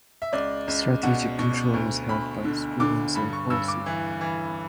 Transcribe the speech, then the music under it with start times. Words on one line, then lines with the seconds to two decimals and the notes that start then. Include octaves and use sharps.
Strategic control was held by Spruance or Halsey.
0.22 E5
0.33 C#2 D5
0.68 C#2
1.03 B2 F#5
1.39 B2
1.74 D2
2.09 D2 B5
2.45 D3
2.80 D3 D6
3.15 G2 B5
3.33 C#6
3.50 G2 E6
3.68 D6
3.86 E3
4.21 E3